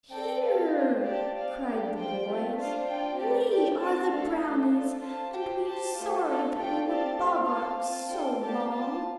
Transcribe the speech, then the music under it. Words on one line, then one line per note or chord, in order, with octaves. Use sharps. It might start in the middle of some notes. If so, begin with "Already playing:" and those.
"Here," cried the boys; "we are the brownies, and we are sorry that we were boggarts so long."
C4 A4 D5 G5
C4 A4 F5
C4 F4 C5
C4 G4 D5 A5
F4 D5 F5
D4 G4 D5
F4 C5 G5
A3 C4 F4
D4 F4 C5 F5
F4 D5 G5
A3 C4 G4 D5
G4 D5 G5
C4 A4 C5 A5
A3 D4 A4 F5
A3 F4 A4 C5
D4 F4 A4
F4 C5 A5
G4 C5 G5
G4 C5 A5
A3 F4 C5
D4 F4 A4
A3 F4 A4 D5 G5
C4 G4 D5 F5 A5
A3 C4 G4 F5
C4 F4 A4 F5 A5
C4 F4 C5 A5
D4 F4 A4 C5 G5
C4 G4 D5 F5 A5
F4 C5 A5